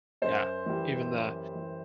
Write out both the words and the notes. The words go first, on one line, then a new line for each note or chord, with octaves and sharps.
yeah, even the,
F#2 C5
E3 G3
F#2
E3 G3